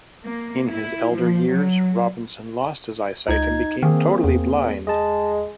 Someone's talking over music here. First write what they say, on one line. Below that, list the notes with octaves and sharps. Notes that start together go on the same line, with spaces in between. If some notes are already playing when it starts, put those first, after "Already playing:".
In his elder years, Robinson lost his eyesight and became totally blind.
A#3
E4
F3
F#3
C#2 D#4 G#6
D#3 A#3 C4 G#4
E2
G#3 D#5 A5